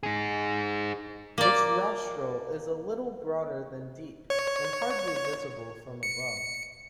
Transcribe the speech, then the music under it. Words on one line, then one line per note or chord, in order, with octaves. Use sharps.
Its rostral is a little broader than deep and hardly visible from above.
D#4 G#4
A#3 D5
C#5
C#7